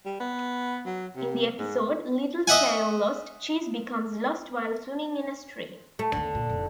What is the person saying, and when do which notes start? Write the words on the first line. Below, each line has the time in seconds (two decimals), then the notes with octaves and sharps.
In the episode "Little Chao Lost", Cheese becomes lost while swimming in a stream.
0.06 G3
0.20 B3
0.86 F#3
1.17 C3
1.59 G#2
2.47 D#5 E5 F#5 G#5
5.99 A3
6.12 D#2 D3 B3
6.35 A#2
6.49 F1